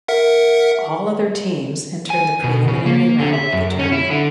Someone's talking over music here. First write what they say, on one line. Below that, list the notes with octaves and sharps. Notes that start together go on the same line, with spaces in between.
All other teams enter in the preliminary round of the tournament.
A#4 E5 F#5
G#5
B2
C#3
A#3
D3
E5
F#2
C#4
E4
D3